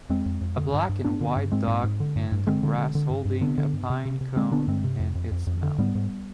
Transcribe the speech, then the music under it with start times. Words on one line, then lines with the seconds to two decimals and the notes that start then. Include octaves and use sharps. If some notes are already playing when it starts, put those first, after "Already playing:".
A black and white dog in the grass holding a pine cone in its mouth.
0.09 F2 G#3 C4
0.26 F2
0.41 F2
0.57 D3
0.74 G2
0.89 G2
1.04 G2 B3 D4
1.21 D3
1.36 G2
1.52 G#2 G#3 C4
1.67 G#2
1.84 G#2
2.00 D3
2.16 G2
2.32 G2
2.47 D3 G#3 C4
2.63 D3
2.78 D3
2.95 D3
3.10 G2
3.25 G2
3.41 D3 B3 D4
3.58 D3
3.73 G2
3.90 C3
4.06 C3
4.21 C3
4.36 D3 G#3 C4
4.52 D3 B3 D4
4.68 G2 G#3 C4
4.84 C3
5.00 F2
5.15 F2
5.32 F2
5.47 F2
5.63 D3
5.78 G#2 G3 B3
5.95 G#2